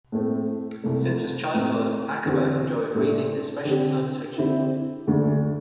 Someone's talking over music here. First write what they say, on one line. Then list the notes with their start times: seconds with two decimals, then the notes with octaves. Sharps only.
Since his childhood, Acaba enjoyed reading, especially science fiction.
0.12 A2 A3 C4
0.84 C2 C3 A3
1.54 A2 A3 C4
2.25 E2 D3 C4 G4
2.95 A2 A3 D4
3.65 D3 C4 G4
4.37 D3 C4 E4 G4
5.07 D2 D3 A3 D4